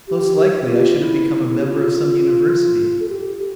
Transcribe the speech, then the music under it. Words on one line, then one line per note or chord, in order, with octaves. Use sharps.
Most likely I should have become a member of some university.
G4
G4
F4
E4
E4
E4
G4
F4
A4
G4
G4